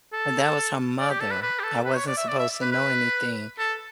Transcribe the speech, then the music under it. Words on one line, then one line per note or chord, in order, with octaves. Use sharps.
And that was her mother. I wasn't supposed to know anything.
A4
D5
G4
A4
B4
B4
G4
A4
B4
C#5
D5
E5
D5
E5
B4
B4
A4